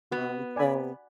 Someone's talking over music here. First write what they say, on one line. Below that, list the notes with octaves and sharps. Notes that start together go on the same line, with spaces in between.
um so,
B3 F#4
D5 G#5 B5